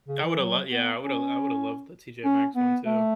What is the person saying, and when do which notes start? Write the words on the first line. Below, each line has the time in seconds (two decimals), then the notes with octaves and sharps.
I woulda l yeah, I woulda I would've loved the TJ Maxx one too,
0.08 C#3
0.24 E3
0.39 F#3
0.70 B3
1.01 C#4
2.25 C#4
2.56 B3
2.86 A3